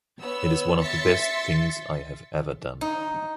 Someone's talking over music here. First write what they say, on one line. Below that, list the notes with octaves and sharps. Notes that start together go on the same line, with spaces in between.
It is one of the best things I have ever done.
B3 C#5 E6
E5 C6 A6 B6 C#7
D#4